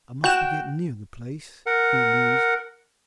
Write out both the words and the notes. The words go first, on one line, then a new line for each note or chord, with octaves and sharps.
"I must be getting near the place," he mused.
F#4 G5 F#6 E7
A#4 F#5